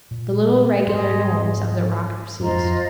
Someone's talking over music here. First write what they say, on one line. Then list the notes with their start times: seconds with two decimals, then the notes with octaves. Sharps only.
The little regular noise of the rocker ceased.
0.11 A#2
0.87 G#2 G#4 D#5 C6
2.40 G#2 F4 C5 D#5 A#5
2.48 F2
2.62 F2